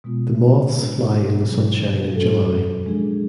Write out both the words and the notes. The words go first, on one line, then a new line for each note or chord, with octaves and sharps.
The moths fly in the sunshine in July.
B2 G#3 B3 F4
A2 G#3 D4
B2 F#3 A3 C#4
F#3 C#4 F#4 A4
F3 G#3 D4 G#4